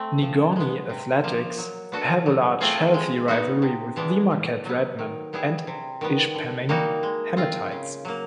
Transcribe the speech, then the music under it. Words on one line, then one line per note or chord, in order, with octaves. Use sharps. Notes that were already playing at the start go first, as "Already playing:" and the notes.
Negaunee athletics have a large, healthy rivalry with the Marquette Redmen and Ishpeming Hematites.
Already playing: A3 C4
F3
G#3 B3
C3
F3 A#3
F#3
B3 D4 F#4 A4
F#3
A3 C4 F4 G#4
G#3
B3 D#4 F#4
C3
E3 G#3 B3 D4
A2
F#3 B3
D#3
G3 B3 E4 G#4
C3
D#3 G3 B3
D3
G3 A#3 D#4 F#4
G#3
C4 F4
C#3
F#3 A#3